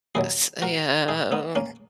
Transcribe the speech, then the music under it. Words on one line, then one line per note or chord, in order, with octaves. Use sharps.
s uh,
D#2 D#3 F#3 E4 G#4
F#4 A#4
E4 G#4
B3 D#4
A#3 C#4